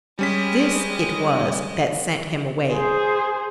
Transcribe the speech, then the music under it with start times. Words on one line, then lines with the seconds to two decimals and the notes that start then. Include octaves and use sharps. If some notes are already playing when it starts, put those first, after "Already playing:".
This it was that "sent him away."
0.19 G3 G#3 C#4 D#5 B6
2.72 G#4 C5